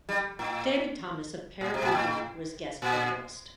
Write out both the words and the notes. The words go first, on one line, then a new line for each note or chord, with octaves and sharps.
David Thomas of Pere Ubu was guest vocalist.
G3
A2
A#2
C3
A#2
A2
A#2